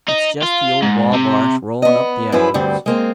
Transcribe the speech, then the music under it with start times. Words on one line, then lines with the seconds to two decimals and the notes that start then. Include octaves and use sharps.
It's jest the old Wabash rollin' up the echoes.
0.09 D#4
0.43 F4
0.83 G#2
1.14 C3
1.82 B3 D#5
2.32 F#2 F3 E4 G#4 B4
2.54 D2 G2 G3 C4
2.86 G#3 A#3 C4